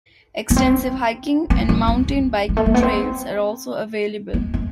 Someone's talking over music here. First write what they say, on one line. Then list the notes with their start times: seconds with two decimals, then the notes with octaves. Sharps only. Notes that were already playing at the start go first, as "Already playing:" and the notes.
Extensive hiking and mountain biking trails are also available.
0.50 B3
0.57 C4
1.50 C4
1.69 C#4
1.88 C4
2.08 C#4
2.49 G#3
2.57 A3
2.66 A#3
2.74 B3
2.83 C4
4.34 B3
4.54 C4